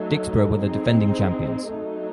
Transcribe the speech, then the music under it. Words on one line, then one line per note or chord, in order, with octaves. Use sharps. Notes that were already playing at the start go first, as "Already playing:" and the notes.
Dicksboro were the defending champions.
Already playing: F#3 A3 D#4 A4
C4 D#4 G#4
F#3 A3 D#4